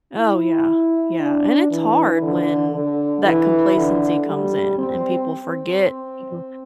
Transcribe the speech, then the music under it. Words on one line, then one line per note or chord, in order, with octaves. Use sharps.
Oh, yeah. Yeah. And it's hard when that complacency comes in and people forget you
E4
D4
E3
D3
D3
E3
D3
G3
C4
C4